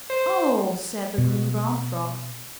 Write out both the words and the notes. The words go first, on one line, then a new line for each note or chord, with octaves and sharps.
"Oh!" said the Green Brown Frog.
C5
B2